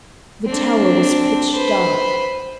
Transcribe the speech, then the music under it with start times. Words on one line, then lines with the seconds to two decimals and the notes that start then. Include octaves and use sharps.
The tower was pitch dark.
0.46 C4 D4
1.54 B4 C5